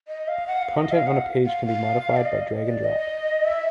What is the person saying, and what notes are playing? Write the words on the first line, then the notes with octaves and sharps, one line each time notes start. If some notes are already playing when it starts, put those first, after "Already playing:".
Content on a page can be modified by drag and drop.
D#5
F5
F#5
F5
D#5
F5
F#5
F5
F5
D5
D#5
D5
D#5
E5